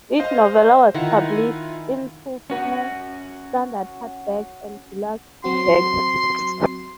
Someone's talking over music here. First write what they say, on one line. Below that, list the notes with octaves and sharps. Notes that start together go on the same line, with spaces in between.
Each novella was published in two formats: standard hardback and deluxe hardback.
C5 D#5 F5
D#3 E4 F4 F#5
F#5 G#5
C#4 F#4
F#3 C4 F#4 C6